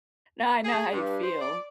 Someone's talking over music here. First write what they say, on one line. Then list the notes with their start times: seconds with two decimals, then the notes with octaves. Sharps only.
No, I know how you feel.
0.65 G#4
0.92 G2
1.23 C5
1.41 D5